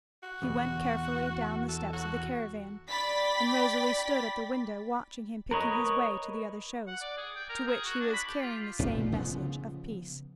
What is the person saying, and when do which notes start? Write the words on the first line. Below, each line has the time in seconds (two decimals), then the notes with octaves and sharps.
He went carefully down the steps of the caravan, and Rosalie stood at the window, watching him picking his way to the other shows, to which he was carrying the same message of peace.
0.23 F#4
0.42 E2 B2
1.69 A4
1.93 F#4
2.88 D5 G5 B5 A6 B6
5.51 A#4 B4 C#5 D#5
6.87 F#5
7.01 D5
7.18 G#4
7.36 G5
7.49 A#4
7.67 G#4
7.85 F#4
8.00 D4
8.13 B5
8.28 G4
8.42 F4
8.79 F1 A#2 A3
9.12 C#3 F3 B3